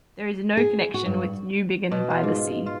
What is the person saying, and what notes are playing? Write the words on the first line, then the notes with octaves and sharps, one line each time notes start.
There is no connection with Newbiggin-by-the-Sea.
G#4
F#4
G2
B2
F4
G#2
F4